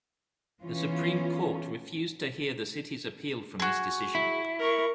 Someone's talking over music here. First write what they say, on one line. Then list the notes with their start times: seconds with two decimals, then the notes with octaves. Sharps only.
The Supreme Court refused to hear the city's appeal from this decision.
0.63 E3 B3 C#4 F4
3.60 F#4 G#4
4.15 E4
4.59 A#4 C#6